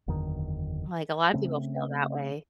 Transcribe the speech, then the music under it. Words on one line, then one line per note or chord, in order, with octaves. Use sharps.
Like, a lot of people feel that way.
F#1 E2 D3 D#3
C#3 A3 C4